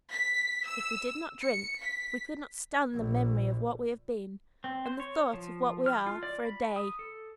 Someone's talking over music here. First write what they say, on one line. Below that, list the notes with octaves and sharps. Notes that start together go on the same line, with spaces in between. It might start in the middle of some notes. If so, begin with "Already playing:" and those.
If we did not drink, we could not stand the memory of what we have been, and the thought of what we are, for a day.
B6
E6
C#7
B6
A#1
C4
C5
C#5
F3
F6
F4
D5
B5
D#6
A4